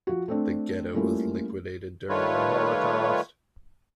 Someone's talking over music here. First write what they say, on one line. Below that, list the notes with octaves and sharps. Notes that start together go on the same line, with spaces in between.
The ghetto was liquidated during the Holocaust.
F3 F#4
A3 C4 D4
G3 A3 A#3 C#4 E4 F4
D#3 G3 A3 F4 B4 C#5